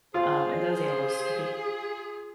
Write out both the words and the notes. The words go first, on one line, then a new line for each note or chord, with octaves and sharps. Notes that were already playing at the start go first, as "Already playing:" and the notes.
um, and those animals, I think
F4 G#4 C5